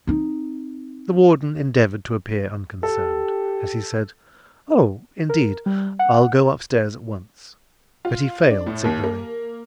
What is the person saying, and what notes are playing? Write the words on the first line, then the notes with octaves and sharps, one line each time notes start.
The warden endeavoured to appear unconcerned, as he said, "Oh, indeed! I'll go upstairs at once;" but he failed signally.
C4 D#4
G4 A4
A#4
G3
F#5
F4
D4
A2
D#2
A#3